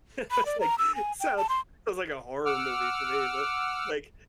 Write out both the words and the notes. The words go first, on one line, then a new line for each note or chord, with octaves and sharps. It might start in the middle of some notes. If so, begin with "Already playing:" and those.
It's like sounds sounds like a horror movie to me, but, like
B5
D5
A#5
E6
G#5
G5
A5
C6
F#5 D6 E6 F6